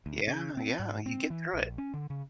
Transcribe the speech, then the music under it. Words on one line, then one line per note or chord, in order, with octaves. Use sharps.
Yeah, yeah, you get through it.
D2
C#3
C4
G#2
C4
E3
A#1
C#4
D3
C#3